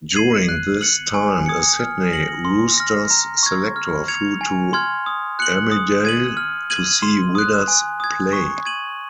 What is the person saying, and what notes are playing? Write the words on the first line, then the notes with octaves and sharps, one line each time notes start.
During this time a Sydney Roosters selector flew to Armidale to see Widders' play.
G#6 C7 D#7 F#7
F#6
C#7 F#7
G#5
D#6 G#6 C#7
F6
A#6 C#7 F#7
C6
F6 A#6
A#5
C#6 G#6
F6
G#6 C#7 F7
G#5
C6 F6 G#6
D#6
F#6 C#7 F#7
D#6
G#6 D#7 F#7
F6
G#6 D#7 F#7
C6
D#6 F#6
G#5
D#6 G#6
C#6
G#6 D#7 F#7